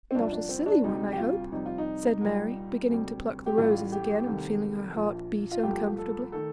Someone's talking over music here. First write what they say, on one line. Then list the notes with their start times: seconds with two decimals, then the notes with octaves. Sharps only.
"Not a silly one, I hope," said Mary, beginning to pluck the roses again, and feeling her heart beat uncomfortably.
0.11 C4
0.15 C2 A#2 F3 D4
0.32 D4
0.49 C4
0.66 D4
0.84 D2 C3 G3 D#4
1.13 G4
1.18 F4
1.52 F2 C3 G3 D#4
1.66 F4
1.78 D#4
2.21 C2 A#2 G3
2.90 D2 C3 G3
3.46 G4
3.58 A1 A2 G3 F4
3.92 G4
4.26 C2 C3 D#3 A3
4.95 A#1 A#2 F3
5.52 F4
5.63 C2 A#2 F3 A3 G4
5.98 A4
6.32 D#3 A3 A4